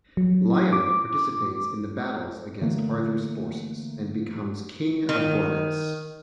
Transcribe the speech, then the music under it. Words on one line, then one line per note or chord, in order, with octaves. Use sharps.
Lionel participates in the battles against Arthur's forces, and becomes King of Gaunnes.
F#3
D6
D3 E3 A3 A#3
D#3